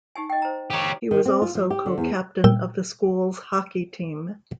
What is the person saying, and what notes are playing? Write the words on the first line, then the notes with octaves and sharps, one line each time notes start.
He was also co-captain of the school's hockey team.
D#4 G4 G#5
D#5 G5
C5 A#5
G4 A4 C#5 A#5
D#3
C4
F4
F3
G4
D3
E2
A#2 G3 G5 E6